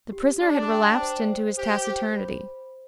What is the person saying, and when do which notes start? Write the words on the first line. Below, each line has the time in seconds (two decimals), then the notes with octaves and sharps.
The prisoner had relapsed into his taciturnity.
0.12 G4
0.41 D4 G4
0.71 G5
1.00 C5
1.29 C5
1.58 G4 C5
1.88 C5
2.16 B5
2.46 C5